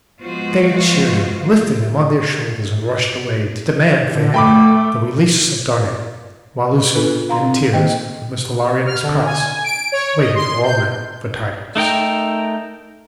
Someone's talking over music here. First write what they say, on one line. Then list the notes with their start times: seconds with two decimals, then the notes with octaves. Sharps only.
They cheered him, lifted him on their shoulders and rushed away to demand for him the release of Darnay, while Lucie, in tears, with Mr. Lorry and Miss Pross, waited all night for tidings.
0.21 F3 G#3 B3 F4 F#4 C5
4.15 D3
4.34 A3 G5 B5 D6
6.95 B3 D4 F4 A4 B4
7.29 F5 A#5 C6
7.43 C4
7.73 D#3 A#3 D#5 G5
8.86 F6
9.03 D3
9.26 G#5
9.64 D7
9.92 C#5
10.19 D#5
10.35 C6
10.63 G6
11.75 A3 D#4 A#4 G5